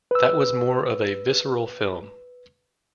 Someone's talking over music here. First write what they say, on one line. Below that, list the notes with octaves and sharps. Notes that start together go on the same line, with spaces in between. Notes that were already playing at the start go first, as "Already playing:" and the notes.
That was more of a visceral film.
B4 E6